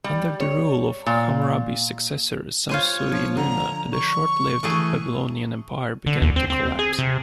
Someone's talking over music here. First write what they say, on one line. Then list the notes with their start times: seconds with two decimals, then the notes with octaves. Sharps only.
Under the rule of Hammurabi's successor Samsu-iluna, the short-lived Babylonian Empire began to collapse.
0.04 G3
0.40 C#5
1.06 A#2
2.69 F4 C5 C#5 G#5
3.12 F3
3.37 D3 A#5
3.93 C#6
4.63 E3 A3 G#4
6.06 D3
6.22 D#2
6.36 C4
6.50 C4
6.79 G#4
6.99 C3